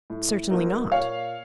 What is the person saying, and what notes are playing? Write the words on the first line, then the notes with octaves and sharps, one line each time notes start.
"Certainly not."
A2
F#3 A#3 D#4
A#2 C#5 F5